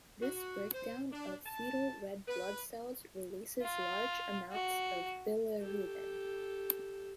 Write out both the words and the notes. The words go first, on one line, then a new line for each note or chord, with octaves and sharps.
This breakdown of fetal red blood cells releases large amounts of bilirubin.
F#4
C5
D4
A5
B4
F4
F#4
G4 A4